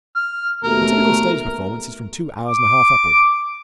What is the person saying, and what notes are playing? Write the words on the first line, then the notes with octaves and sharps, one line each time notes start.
The typical stage performance is from two hours and a half upward.
F6
D#2 B2 A3 A#4
D6